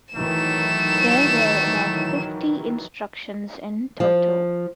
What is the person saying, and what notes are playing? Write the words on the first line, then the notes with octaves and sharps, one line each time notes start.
There were about fifty instructions in total.
D#3 E3 F#3 A3 E7
F3